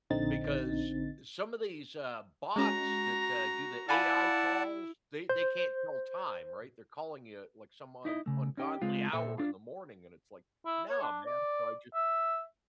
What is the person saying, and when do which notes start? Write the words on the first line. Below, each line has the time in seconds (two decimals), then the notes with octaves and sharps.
because, some of these, uh, bots that, uh, do the AI calls, they they can't tell time, right? They're calling you at, like, some un ungodly hour in the morning, and it's like, "No, man." So, I just
0.10 A#1 D3 C4 D#4 A6
2.56 G#3 C#4 F#4 A#5
3.89 E4 D5 F5 F#5 G#5 A5 B5
5.29 C5 G6
8.05 D#4 E4 D5 D#5
8.26 C#3 A3
8.57 C#4 D#4 G4
8.82 C#2 G#3 C4 F4
9.13 A#2 A4 C5 E5
9.38 D4 F4
10.66 E4
10.89 C#5
11.02 D4
11.26 D5
11.94 E5